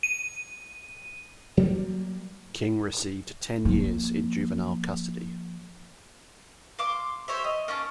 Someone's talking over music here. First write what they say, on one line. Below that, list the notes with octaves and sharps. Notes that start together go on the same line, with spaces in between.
King received ten years in juvenile custody.
D#7
F#3 G3 A#3
F3 A#3
F5 C6 D6
G4 C5 C#5 E5
D#5
A#3 C#4 A5